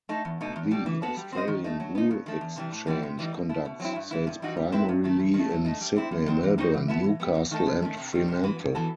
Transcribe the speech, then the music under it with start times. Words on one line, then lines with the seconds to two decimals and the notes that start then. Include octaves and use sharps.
The Australian Wool Exchange conducts sales primarily in Sydney, Melbourne, Newcastle, and Fremantle.
0.09 A3 D#4 A4
0.25 E2
0.41 B2 A3 D#4
0.56 E2
0.71 B2 G3
0.86 E3
1.02 B3 F#4 A4
1.17 G3
1.32 C4 F#4 C5 D#5
1.48 D#3
1.64 A3 D#4
1.80 F#3
1.95 B3 D#4
2.11 G2
2.26 D#3 A3
2.41 E2
2.56 C3 E3 G3
2.72 A2
2.87 E3 G3 B3 E4
3.03 C3
3.19 E3 G3 D#4
3.34 B2
3.49 A3 E4
3.65 B2
3.80 F#3 C4 E4
3.96 G2
4.11 E3 B3 E4
4.27 G2
4.42 E3 G3 D#4 F#4
4.57 G3
4.72 C4 E4 B4 E5
4.89 G2
5.04 D#3 A3
5.19 E2
5.34 D#3
5.39 A3
5.50 F#3
5.65 A3 D#4
5.81 G3
5.96 C4 E4
6.11 F#2
6.26 D#3 F#3 C4
6.43 E3
6.58 G3 D#4 F#4 C5
6.74 E3
6.88 B3 E4 A4 E5
7.04 E3
7.20 G3 B3
7.35 E2
7.51 D#3 A3 D#4 A4
7.66 F#2
7.82 D#3 A3
7.97 C3
8.13 D#3 G3 D#4
8.28 C3
8.43 E3 B3 F#4 B4
8.59 G2
8.75 E3 B3 F#4 A4